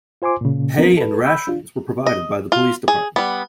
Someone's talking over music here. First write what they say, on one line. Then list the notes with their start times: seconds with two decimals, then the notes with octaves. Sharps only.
Pay and rations were provided by the police department.
0.22 F4 C5 G#5 C6 D6
0.41 A#2 C#3
0.78 F3 B3 C4 D4 F4 A#4
0.97 A4 B4
1.24 B5 E6 G6
1.47 D4 F4
2.06 D#5
2.52 F4
2.88 G#4
3.16 G3 B3